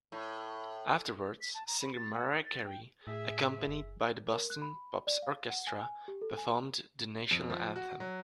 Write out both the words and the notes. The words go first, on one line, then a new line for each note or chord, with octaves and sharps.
Afterwards, singer Mariah Carey, accompanied by the Boston Pops Orchestra, performed the national anthem.
A2
B6
A5
A#5
B5
A6
F#5
D#6
A6
G5
A2 G#4 E5
F#1
A#4
F#6
B5
D5
F5
F#5
G#5
G#5
G4
A4
G#5
F2
F3
F#4
F#3